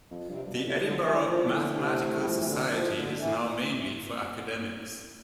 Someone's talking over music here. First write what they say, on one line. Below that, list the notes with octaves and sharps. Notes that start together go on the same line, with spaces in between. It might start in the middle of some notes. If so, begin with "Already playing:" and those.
The Edinburgh Mathematical Society is now mainly for academics.
F2
G2 C3
G2 B2
G2
A2 C3
A2 D3
A2 E3
F3
D3
C3
A3
G3
F3
E3
B2 D3
B2 F3
A2
B2 D3
D3 E3